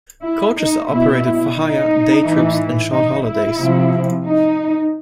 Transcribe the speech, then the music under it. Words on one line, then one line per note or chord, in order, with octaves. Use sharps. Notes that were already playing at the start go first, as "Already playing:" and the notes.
Coaches are operated for hire, day trips and short holidays.
E4
D#4
B2 E4
D#4
A2 E3
D#4
E4
C3 F3
D#4